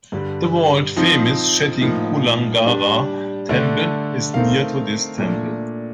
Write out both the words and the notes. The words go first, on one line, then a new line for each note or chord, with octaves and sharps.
The world-famous Chettikulangara temple is near to this temple.
G2 D3 G3
F3 C4 D#4
A2 F3 A#3 D#4
G3 D4 G4
D3 A3 D4
A3 C4 D#4 A#4 F5
A#2 A3 D4